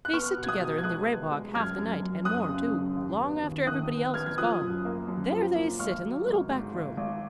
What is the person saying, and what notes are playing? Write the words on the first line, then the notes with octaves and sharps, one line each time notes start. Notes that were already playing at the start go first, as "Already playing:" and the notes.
They sit together in the Rehbock half the night and more, too; long after everybody else has gone, there they sit in the little back room.
F#6
B3 C#6 F6
B2
G#6
D#6 F#6
B2
G#6
G#3 D#6 F#6
B3
G#3
F#2 F6 G#6
F#2
F#2
F#2 D#6 F#6
C#3
F#2
D#2
B3
D#3
D#3 D#6 F#6
B3
B3 F6 G#6
G#6
F3 D#6 F#6
F#2
A#3
F#2
F3
A#3
G#1 C#6 F6
F#3
G#1
G#2
G#1
G#1